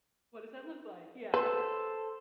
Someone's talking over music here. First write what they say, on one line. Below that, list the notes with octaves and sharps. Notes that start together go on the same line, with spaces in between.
What does that look like? Yeah.
A4 B4 C5